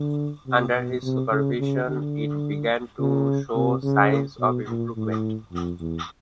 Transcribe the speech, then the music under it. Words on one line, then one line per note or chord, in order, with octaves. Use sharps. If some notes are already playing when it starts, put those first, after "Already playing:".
Under his supervision, it began to show signs of improvement.
Already playing: D3
C3
B2
C3
C#3
C#3
D3
C#3
C3
C#3
B2
A#2
A2
F2
E2